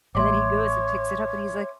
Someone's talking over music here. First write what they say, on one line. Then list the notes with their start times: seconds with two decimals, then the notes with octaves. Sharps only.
and then he goes and picks it up and he's, like,
0.15 A1 A3 C#5 E5 C6 D6